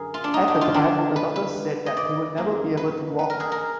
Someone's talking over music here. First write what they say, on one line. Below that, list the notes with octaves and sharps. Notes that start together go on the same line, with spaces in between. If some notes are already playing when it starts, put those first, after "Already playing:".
At the time the doctor said that he would never be able to walk.
Already playing: F#2 D3 G#4 A#4
F4
D4
D#4
D4
F4
D3 G#3 B3 D4
B4
B4
D#5
D5
F#2 D#3 A#3
B4
B4
A#4
G#4
A#4